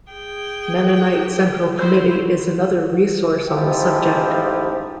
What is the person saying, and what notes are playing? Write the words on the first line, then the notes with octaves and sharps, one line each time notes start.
Mennonite Central Committee is another resource on the subject.
G#4 G5
G4
E4 F#4 C5
A1 G#2 F3 E4 G4